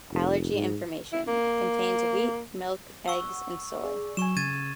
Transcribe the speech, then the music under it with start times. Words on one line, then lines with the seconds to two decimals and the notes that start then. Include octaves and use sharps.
Allergy Information: Contains wheat, milk, eggs, and soy.
0.12 F1
0.54 G#2
1.13 E4
1.28 A#3
3.08 F#5 C#6 E6
3.83 G#4 D5
4.17 F#3 G#5 C#6 E7
4.37 C#3 G#6 A6 D#7